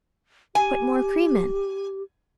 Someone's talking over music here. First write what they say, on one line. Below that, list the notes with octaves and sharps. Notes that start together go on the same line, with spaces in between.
Put more cream in.
G4 G#5